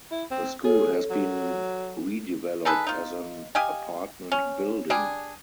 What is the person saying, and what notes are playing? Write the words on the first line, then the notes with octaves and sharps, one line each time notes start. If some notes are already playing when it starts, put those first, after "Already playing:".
The school has been redeveloped as an apartment building.
E4
C4
G#4 A4 C#5
F#3
D#4 G#4 A4 B4
D#4 F4
G4 D#5 F5 G#5
C#4
G3 D4 G#4